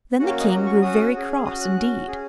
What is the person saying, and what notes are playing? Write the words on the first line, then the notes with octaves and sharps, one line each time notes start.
Then the king grew very cross indeed.
A#3 C#4 F#4 F#5
C#5
D#5
C#4 F#4 A#5
C#6
C#4 F#4 D#6
C#4 G#4
C#4 F#4 D#6
F#6
C#4 F#4
C#4 G#4